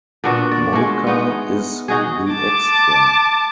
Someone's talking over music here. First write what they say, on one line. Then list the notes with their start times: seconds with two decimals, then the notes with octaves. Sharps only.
Moka is the extra.
0.24 A#2 B3 D4 F#4
0.51 D5
0.73 G#3 A3
1.07 B3 D#4
1.88 D#4 F#4 G#4
2.31 A5 D6